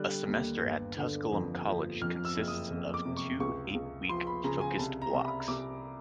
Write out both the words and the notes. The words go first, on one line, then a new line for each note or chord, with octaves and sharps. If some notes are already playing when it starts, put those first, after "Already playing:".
A semester at Tusculum College consists of two eight-week Focused Blocks.
Already playing: D3 G3 F#6
D#2
G1
D3
F2
F3
F2 F6
E6
F#1
D#6
F2
D6
C3
C#6
C#2 C#6
C#2
F3 C6
B5
C#3 A#5
G#5
C2 A5
A#5
C2
B5
C2 D6